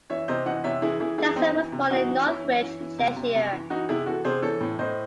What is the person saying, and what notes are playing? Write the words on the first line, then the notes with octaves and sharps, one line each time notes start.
Johnson was born in Northwich, Cheshire.
E3 C#5 E5
C3 C5 D#5
E3 D#5 F#5
C3 C#5 E5
E3 E4 G#4
E3 E4 G#4
E3 E4 G#4
E3 C4 D#4
E3
C3
E3 D#4 F#4
E3
E3 C#4 E4
E3
E3
E3
C3
C3
C3
E3
E3 D#4 F#4
C3 E4 G#4
E3 F#4 A4
C3 G#4 C5
E3 A4 C#5
A2
A2 C5 D#5